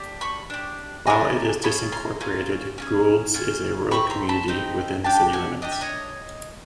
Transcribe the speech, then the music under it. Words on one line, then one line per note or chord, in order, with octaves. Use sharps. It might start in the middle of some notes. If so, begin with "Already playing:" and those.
While it is disincorporated, Goulds is a rural community within the city limits.
Already playing: D4 G4
B5 C#6
D4 G4
D4 G4 G#5 A#5
C#4 F4 G#4 A5 B5
A#5 C6
C#4 F4 G#4
C#4 F4 G#4
C#4 F4 G#4
C4 D#4 G4 B5 C#6
A#5 C6
A5 B5
C4 D#4 G4
D4 G4 G5 A5
F#5 G#5
D4 G4 D#5
E5
C#5 D#5